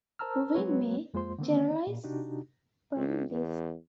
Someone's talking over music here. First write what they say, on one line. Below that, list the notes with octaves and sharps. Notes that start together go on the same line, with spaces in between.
We may generalize from this.
A#4 C5 A5 A#5 E6 F6
F#3 G#3 C4 F#4 B4 C#5
F2 G#3 A#3 F4 C5 C6
D3 D#3 A#3 C4
A#2
C3 D4 D#4 F#4 G4
C#2
E2